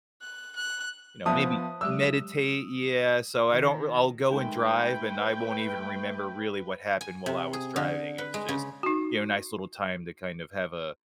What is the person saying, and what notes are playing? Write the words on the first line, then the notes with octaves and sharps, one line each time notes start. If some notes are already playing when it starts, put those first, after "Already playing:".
you know, maybe meditate. Yeah, so I don't r I'll go and drive, and I won't even remember really what happened while I was driving, it was just, you know, nice little time to kind of have a
F#6
F#6
F3 B3 C5 E5 A5 D#6
F#3 G#3 G4 E6
D#3
D#3 G#3 A3 B4 G5
G#5
C3
G#4
D3
B4
G#3
C#3
D#4 F#4